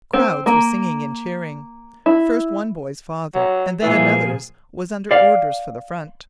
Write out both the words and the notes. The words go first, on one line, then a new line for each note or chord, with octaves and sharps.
Crowds were singing and cheering. First one boy's father and then another's was under orders for the front.
C4
A#3
E4
F#3
A#2 E3 F3 G#4
D5 F5